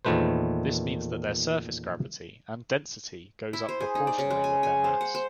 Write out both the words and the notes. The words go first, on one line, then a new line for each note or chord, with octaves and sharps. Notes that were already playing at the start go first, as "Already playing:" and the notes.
This means that their surface gravity and density goes up proportionally with their mass.
E2 A#2 D#3 A3 B4 C5
E4
C5
G#4
D#4
D5
C#3
G#3
G#5
G#5
C5
F#5
C5